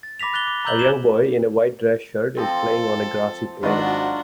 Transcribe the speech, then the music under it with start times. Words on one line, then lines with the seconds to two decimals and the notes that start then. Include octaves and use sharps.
A young boy in a white dress shirt is playing on a grassy plain.
0.03 A6
0.20 B5 D6 A#6 B6 F7
0.33 D6 F#6 A6 F7 G7
0.47 D6
0.65 A#5 D6 E6 G6 F#7 G7
0.79 D6 G#6 E7
2.37 F3 C4 A4
3.63 G#1 F#3 D4 F4 F#4 D#5